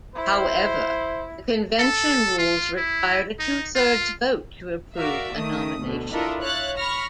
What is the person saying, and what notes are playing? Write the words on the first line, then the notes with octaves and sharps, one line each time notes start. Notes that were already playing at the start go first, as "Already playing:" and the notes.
However, the convention rules required a two-thirds vote to approve a nomination.
E4 C5
A4
F4
E4
D#4
F4
F#4 A#4 D5 E5 F5
D#3 A3 D#6
D2 B2 D3
D4 E4 F4 A4 A#4 D#5
C#5 E5 F5 F#6 A6
B5 C#6 F6 A#6